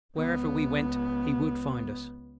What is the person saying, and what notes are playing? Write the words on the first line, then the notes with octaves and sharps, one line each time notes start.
Wherever we went, HE would find us.
C#2 B3